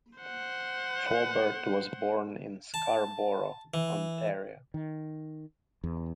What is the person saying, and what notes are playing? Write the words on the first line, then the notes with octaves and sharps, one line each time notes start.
Faubert was born in Scarborough, Ontario.
C5 F#5
A5
E3
D#3
E2